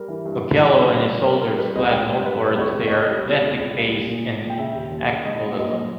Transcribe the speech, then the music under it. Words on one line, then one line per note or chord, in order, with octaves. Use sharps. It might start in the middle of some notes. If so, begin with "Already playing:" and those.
Okello and his soldiers fled northward to their ethnic base in Acholiland.
Already playing: G3 A#4
E3
G2
G2
E3
G2
G2
G2
G3 A#4
G3 A#4
G3 B4
C#2 D#5
G#3 G5
G2
G2 B4
G2
C#2 C#5
C#2
C#5
C#2 D#5
G3
B2
C#2
C#2
G3
A#2
A#2
A#2
A#2
G5
C#3 E5
D#2
D#2
C#3
G#3 D#5
A#2
A#2 D#5
G#3